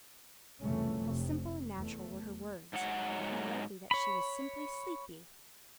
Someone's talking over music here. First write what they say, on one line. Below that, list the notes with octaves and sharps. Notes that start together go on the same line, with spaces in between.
How simple and natural were her words, and how likely that she was simply sleepy!
C2 F2 C#3 E3 A3 C#4
F1 C3
E2 A3
G#2 F#3 F#5
C#5 B5